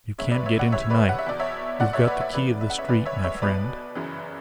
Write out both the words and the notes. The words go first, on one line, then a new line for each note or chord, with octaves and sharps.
You can't get in to-night; you've got the key of the street, my friend.'
F#1 E2 C#3 C#5 E5
B4 D5
C#5 E5
D5 F#5
G1 G2 E3 C#5 E5
B4 D5
F#5
E5
E2 B2 D5
C#5 E5
A#1 A#2 D5 F#5
C#5 E5
B4 D5
C#5 E5
E2 C#3 E3 B4 D5
E5
F#5
C#5 E5
D2 D3 B4 D5
C#5 E5
C#5 E5
B1 B2 B4 D5
G1 F#2 C#3 E3